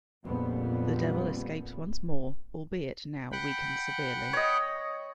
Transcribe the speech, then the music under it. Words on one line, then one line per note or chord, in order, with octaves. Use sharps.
The devil escapes once more, albeit now weakened severely.
A#1 F2 A#2 G3 B3
F#5 G5 B5
C#5 D#5